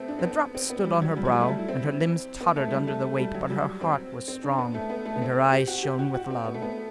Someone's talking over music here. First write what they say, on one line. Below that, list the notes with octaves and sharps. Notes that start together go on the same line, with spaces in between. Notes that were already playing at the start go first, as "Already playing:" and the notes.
The drops stood on her brow, and her limbs tottered under the weight, but her heart was strong, and her eyes shone with love.
Already playing: A3 B3 C4
D4
C4
B3
C4
B3
G3
F#3
G3
F#3
G3
A3
G3
E4
C4
B3
A3
A3
G3
A3
G3
F#3
G3
C4
C4
D4
B3
A3
B3
A3
B3
C4
G4
F#4
G4
F#4
F#4
C4
B3
A3
B3